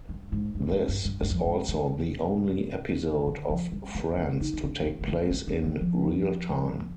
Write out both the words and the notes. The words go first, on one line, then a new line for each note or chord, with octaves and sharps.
This is also the only episode of "Friends" to take place in "real time".
G2
G#2
G2
G#2
G2
G2
G2
F2
G2
G#2
C3
D3
F3
G3
A#3
D4
D#4
C4
D4
C4
C4
A#3
C4
D4
C4
F3